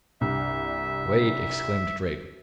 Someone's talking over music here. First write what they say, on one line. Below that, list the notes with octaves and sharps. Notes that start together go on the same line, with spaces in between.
"Wait!" exclaimed Drake.
C2 G2 E5